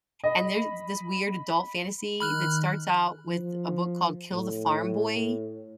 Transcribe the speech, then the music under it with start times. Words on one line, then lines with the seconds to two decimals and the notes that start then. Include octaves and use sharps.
and there's this weird adult fantasy that starts out with a book called Kill the Farm Boy,
0.24 D#5 B5
2.20 D#3 B5 F6 F#6
3.28 F3
4.33 A2